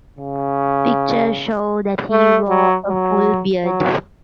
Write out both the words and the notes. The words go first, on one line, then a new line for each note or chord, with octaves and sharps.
Pictures show that he wore a full beard.
C#3
A3
F#3
F#3
F#3